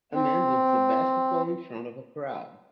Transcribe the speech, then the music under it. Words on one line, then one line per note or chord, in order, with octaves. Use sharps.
A man dunks a basketball in front of a crowd.
C4